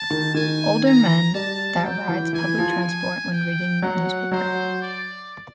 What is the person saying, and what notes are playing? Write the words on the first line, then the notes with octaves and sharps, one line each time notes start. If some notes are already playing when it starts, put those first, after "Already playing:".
Older men that rides public transport when reading newspaper.
Already playing: A5
D#3
D#3 G#5
A#5
G3 A5
F#3 G5
E3
E3 G#5
F3
G#5
G5
F#3 F#5
F#3 C5
D5